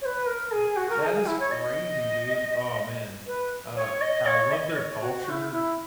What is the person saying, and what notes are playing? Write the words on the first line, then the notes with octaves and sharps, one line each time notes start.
H n that is crazy, dude. Aw, man. Uh, yeah, I love their culture.
C#5
B4
A#4
G#4
F#4
A#4
A#4
G#4
E4
C#5
D#5
B4
C#5
D#5
C#5
E5
D#5
C#5
F#4
F#4
E4
E4